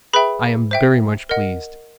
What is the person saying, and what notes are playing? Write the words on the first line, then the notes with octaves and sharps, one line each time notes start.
I am very much pleased.
G#4 B4 E5 G5 B5
C5 E5 G5
A#4 D#5 F#5